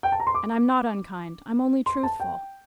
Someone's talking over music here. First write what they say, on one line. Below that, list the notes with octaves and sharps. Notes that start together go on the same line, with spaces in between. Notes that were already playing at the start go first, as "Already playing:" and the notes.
'And I'm not unkind, I'm only truthful.
G5
A5
A#5
C6
D6
C6
A5
G5